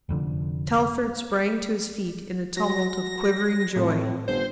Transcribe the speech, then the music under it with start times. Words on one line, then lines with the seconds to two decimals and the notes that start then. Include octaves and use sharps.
Telford sprang to his feet in a tumult of quivering joy.
0.09 F1 F2 D3
2.57 F#3 A#6
3.76 F2 A2
4.28 G1 C5